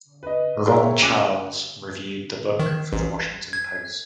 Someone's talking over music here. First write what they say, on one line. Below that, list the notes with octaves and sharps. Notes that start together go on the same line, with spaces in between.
Ron Charles reviewed the book for the "Washington Post".
B4 D#5
G#4 A#4 C5 C#5 E5 G5
C#2 A#3 G#5 D6 E6 F#6
D#3
A1
G#6